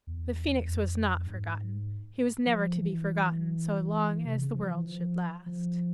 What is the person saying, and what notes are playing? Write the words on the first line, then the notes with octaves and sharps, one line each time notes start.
The Phoenix was not forgotten; he was never to be forgotten so long as the world should last.
E2
F2
G#2
F3
E3
C3
C#3
F3
E3
F3
F3